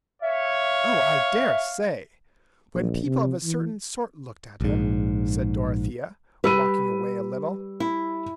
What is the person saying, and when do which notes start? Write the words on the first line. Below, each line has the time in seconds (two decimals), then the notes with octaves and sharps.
"Oh, I dare say! when people of a certain sort looked at him," said Dorothea, walking away a little.
0.22 C#5 E5 F5
2.74 A#1
3.05 C3
3.44 E3
4.61 A#1 G#2
6.44 G3 B4 E6 D#7
7.80 E4